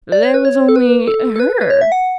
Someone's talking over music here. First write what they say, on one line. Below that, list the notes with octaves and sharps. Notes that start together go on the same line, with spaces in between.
"There was only HER."
D5
C#5
B4
C#5
A4
B4
A4
A4
B4
B4
C#5
E5
F#5